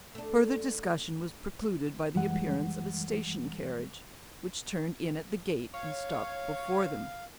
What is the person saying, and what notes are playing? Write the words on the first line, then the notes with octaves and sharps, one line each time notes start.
Further discussion was precluded by the appearance of a station-carriage which turned in at the gate and stopped before them.
A3 D4
F#2 E3 G3 G#3 F#5
C#5 F5